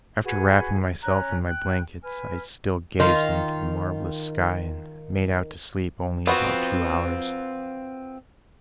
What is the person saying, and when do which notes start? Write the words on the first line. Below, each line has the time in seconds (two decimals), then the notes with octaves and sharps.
After wrapping myself in my blankets, I still gazed into the marvelous sky and made out to sleep only about two hours.
0.24 F#4 G#4 B4 G#5
1.03 C#4 A#5 F#6
1.46 G5 F#6
2.02 B4 G#5 F6
3.00 D#3 F4
6.27 B3 C4 F4 F#4